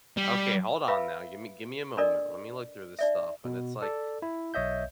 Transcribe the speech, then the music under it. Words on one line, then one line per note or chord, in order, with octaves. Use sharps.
"Okay, hold on now, gimme gimme a moment, let me look through this stuff," and it's like,
G3
B4 E5 F5 B5 E6
D4 A4 A#4 D5 D#5
D#4 D5 E5
B2
A4 D5
E4
B1 C#5 D#5 E5 G6